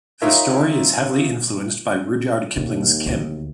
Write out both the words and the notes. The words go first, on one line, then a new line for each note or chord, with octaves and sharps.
The story is heavily influenced by Rudyard Kipling's "Kim".
D#4 F4 A#4 C#5 E5
D#2 B2
D2